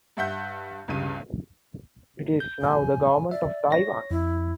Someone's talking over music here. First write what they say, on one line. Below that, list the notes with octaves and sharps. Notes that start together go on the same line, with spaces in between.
It is now the government of Taiwan.
G2 E5 F#5 G6
C#2 G2 C#3 D#7
G6
G#5
D5 E5
C#5 A#6
F2 E4